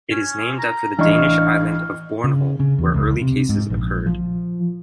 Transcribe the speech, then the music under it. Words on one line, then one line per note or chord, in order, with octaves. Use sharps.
It is named after the Danish island of Bornholm where early cases occurred.
C#4
A#5
A1 E3 D4 D#5 F5 C#6
C#3
C#3
E2
C#2
C3
G#2
A#1
F3